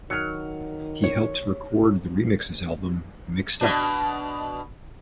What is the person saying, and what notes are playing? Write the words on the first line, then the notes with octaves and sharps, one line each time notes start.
He helped record the re-remixes album "Mixed Up".
D#3 F#3 F6 C#7
C#5
B2 D4